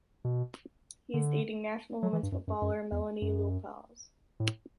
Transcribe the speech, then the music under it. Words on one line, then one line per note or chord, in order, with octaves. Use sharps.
He is dating national women’s footballer Melanie Leupolz.
B2
D3
F#3
E3
G2
F#2
F#2
F#2
E2
F#2
A2